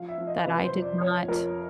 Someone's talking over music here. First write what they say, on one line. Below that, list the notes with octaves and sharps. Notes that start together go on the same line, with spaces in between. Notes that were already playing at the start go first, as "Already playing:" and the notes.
That I did not,
Already playing: F3 F5
E5
F3
D#5
C3 B4
C5
F2
D5
F3 C#5
F2 A#4